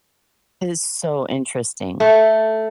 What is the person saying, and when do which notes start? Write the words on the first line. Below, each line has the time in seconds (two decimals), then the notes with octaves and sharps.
It is so interesting.
2.00 A3